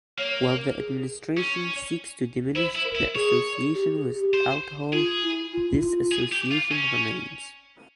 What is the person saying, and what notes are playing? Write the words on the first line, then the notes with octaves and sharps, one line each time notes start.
While the administration seeks to diminish the association with alcohol, this association remains.
A#3 C#5
A#4
G#4
G#4
C#4
E4 C5
E4
A#4
E4
G#4 C#5
G4
G#4
G4
C5
F4 G#4
E4
F4
E4
F4
G#4
G4
F4
C#4